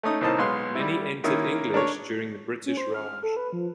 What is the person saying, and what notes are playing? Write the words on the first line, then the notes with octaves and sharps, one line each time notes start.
Many entered English during the British Raj.
A3 C#4 D#4 D#6
C2 A2 A#3 D#4 C5 A5
B1 G#3 B4 F5 C6
G3 E4
D#3 A#3 C#4 E4
D4 A#4 C#5
C#4
C5
F6
A4
B4
F3